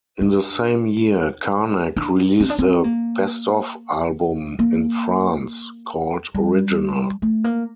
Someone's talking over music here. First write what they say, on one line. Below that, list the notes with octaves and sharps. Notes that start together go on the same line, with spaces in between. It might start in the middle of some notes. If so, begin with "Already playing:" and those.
In the same year, Karnak released a "best of" album in France, called "Original".
D4
D4
C4
D4
C4
A#3
A#3
G3
A3
A#3